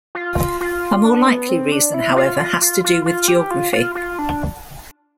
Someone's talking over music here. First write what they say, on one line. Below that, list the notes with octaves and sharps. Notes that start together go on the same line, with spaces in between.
A more likely reason, however, has to do with geography.
F4
F4
D4
B3
C4
D4
E4
F4
F4
F4
F4
F4
G4
F4
F4
F4
D4